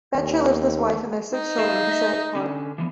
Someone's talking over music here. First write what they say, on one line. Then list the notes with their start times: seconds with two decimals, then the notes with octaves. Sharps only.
Becher lives with his wife and their six children in Passaic Park.
0.16 D#2
1.32 D#4
1.59 G#4 E5 F5
1.89 D#5 E5
2.35 D3 C#4
2.78 E3 F3 B3